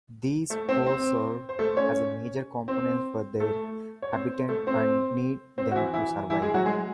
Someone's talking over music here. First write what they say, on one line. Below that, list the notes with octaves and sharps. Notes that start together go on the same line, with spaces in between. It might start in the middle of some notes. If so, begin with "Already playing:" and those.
These hosts serve as major components for their habitat and need them to survive.
A3 A4
C4 C5
C4 C5
C5
A3 A4
C#4 C#5
C4 C5
A3 A4
C#5
C4 C5
A3 A4
C4 C5
C4 C5
F#4
E3 E4
E3 E4
E3 E4
G#3 G#4
F#3 F#4
G#3 G#4